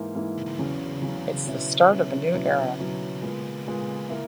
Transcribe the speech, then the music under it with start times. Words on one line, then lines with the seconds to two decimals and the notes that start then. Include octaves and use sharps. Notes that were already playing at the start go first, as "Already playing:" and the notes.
It's the start of a new era.
Already playing: G#2 E3 A#3 E4
0.15 G#2 E3 A#3 E4
0.59 E2 C#3 F#3 C#4
1.02 E2 C#3 F#3 C#4
1.47 B2 F#3 C#4 E4
1.90 B2 F#3 C#4 E4
2.34 B2 F#3 C#4 E4
2.79 B2 F#3 C#4 E4
3.22 A#2 G#3 B3
3.66 A#2 G#3 B3
4.09 A#3 E4